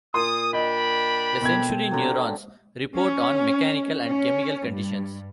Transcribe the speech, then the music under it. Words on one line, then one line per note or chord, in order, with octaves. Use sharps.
The sensory neurons report on mechanical and chemical conditions.
A#2 C6 D#6
D4 D#5 G5 B5
B2 C4 A4 G#6
D3 F#3
C#4
C#4
G2